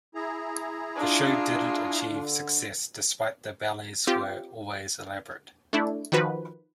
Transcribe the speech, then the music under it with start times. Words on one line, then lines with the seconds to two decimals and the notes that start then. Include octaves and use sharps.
The show didn't achieve success despite the ballets were always elaborate.
0.15 E4 G#4 A#5
0.96 D4 F4
2.09 D3
4.07 C4 F4 G4
5.73 A3 D4 E4
6.12 D#3 F3 F#4 B4